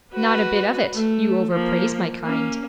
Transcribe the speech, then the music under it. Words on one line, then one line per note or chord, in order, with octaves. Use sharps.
'Not a bit of it; you overpraise my kind.'
F#4 B4
A3
F3 A#3
A#3 C#4